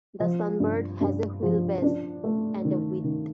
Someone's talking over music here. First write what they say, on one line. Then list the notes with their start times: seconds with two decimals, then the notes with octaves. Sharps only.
The Sunbird has a wheelbase and a width.
0.20 F3
0.60 G2
1.01 G2
1.42 F3
1.82 D4
2.24 A3
2.65 D#3
3.04 D#3